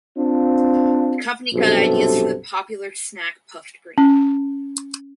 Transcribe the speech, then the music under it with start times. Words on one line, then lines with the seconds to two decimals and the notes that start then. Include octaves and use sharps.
The company got ideas from the popular snack puffed grain.
0.16 C4 D4 F4
1.53 B1 G2 C3 A4
3.98 C#4